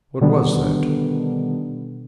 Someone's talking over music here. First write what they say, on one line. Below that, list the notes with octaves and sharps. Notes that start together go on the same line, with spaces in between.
What was that?
B2 D3 D#3 G3 B3 D4